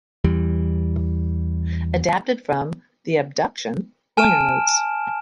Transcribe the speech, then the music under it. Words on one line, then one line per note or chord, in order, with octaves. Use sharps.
Adapted from the "Abduction" liner notes.
E2 E3 G3
G#5 A5 F6 D7 E7